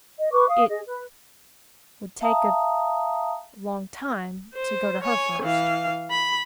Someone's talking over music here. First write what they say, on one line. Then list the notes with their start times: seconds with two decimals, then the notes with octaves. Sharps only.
"It--would take a--long time to go to her first?"
0.19 D#5
0.32 B4 C#6 D6
0.49 F5 D#6
0.69 G#4 D#5
0.86 B4
2.21 E5 F5 A5 A#5 D#6
4.54 C5
5.04 C#5 G#5
5.42 E3 F5
6.11 B5